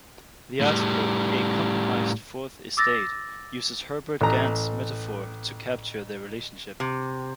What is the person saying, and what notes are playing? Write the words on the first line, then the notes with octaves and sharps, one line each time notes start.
The article 'A Compromised Fourth Estate' uses Herbert Gans' metaphor to capture their relationship.
A2 G3
D6 E6 A6 A#6
A1 A#5
C3